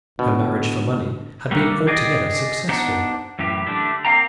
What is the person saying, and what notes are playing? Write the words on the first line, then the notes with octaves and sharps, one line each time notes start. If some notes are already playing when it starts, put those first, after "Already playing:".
Her marriage for money had been altogether successful.
B2 D3
G3 A3 A#3 D4
G4 G#4 D5 D#5
B3 D4 D#4 C5 F#5
F#2 A2 E3 G4
D3 A3 D4 G4
A#3 C4 F5 G5 A#5